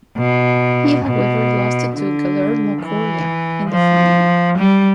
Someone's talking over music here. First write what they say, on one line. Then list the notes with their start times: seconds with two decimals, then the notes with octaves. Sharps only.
He however lost to Guillermo Coria in the final.
0.17 B2
1.05 B2
1.94 D3
2.82 E3
3.70 F3
4.59 G3